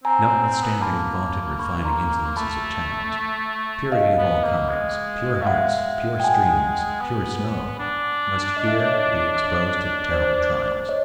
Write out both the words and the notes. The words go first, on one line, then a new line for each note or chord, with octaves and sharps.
Notwithstanding the vaunted refining influences of towns, purity of all kinds--pure hearts, pure streams, pure snow--must here be exposed to terrible trials.
C4 G#5 A#5
C4
C4
B3
A#3 A5 B5
B5 C#6
A#5 C6
A3 A5 B5
D#5 F5
B3
A#3
G#3
A3 F5
G#3 E5 F#5
G5
F#5 G#5
B3
D4
D#5
E5
C#5 D#5
C5 D5
C#5 D#5